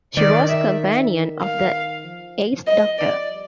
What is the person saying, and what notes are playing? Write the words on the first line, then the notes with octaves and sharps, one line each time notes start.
She was a companion of the Eighth Doctor.
D#3 D5
E5
F5
F3
D#5
D5
G3